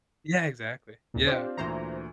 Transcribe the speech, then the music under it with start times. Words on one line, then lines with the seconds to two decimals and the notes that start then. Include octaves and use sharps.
Yeah, exactly. Yeah.
1.14 D#2 A#2
1.27 C4 D4 F4 G4 C5
1.57 D2 A#2 E3 C5 A#5